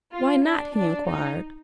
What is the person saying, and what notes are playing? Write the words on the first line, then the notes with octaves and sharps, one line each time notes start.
'Why not?' he inquired.
F4
D4
D4
D#4